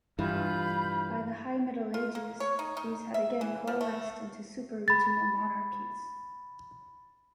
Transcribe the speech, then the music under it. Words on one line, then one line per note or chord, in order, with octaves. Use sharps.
By the High Middle Ages, these had again coalesced into super-regional monarchies.
G2 E3 F4 B5 G6
F4
A#3
C#5
D#4
D#4
E5
E3
F3
A3
B5 A6